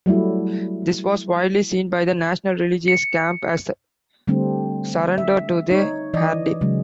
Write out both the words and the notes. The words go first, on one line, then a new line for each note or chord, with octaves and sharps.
This was widely seen by the National Religious camp as surrender to the Haredim.
F#3 G3 A3 E4
C#7
D3 G3 A3 C4 D4
E5
D#4 C#5
E3 D5 D#5
C#3 F#3 G#3